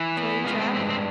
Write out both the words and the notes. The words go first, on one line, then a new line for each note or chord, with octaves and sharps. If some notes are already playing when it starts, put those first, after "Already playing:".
"Which way you traveling?"
Already playing: E3
B3
G#3 F4
C4
G2 C4
C4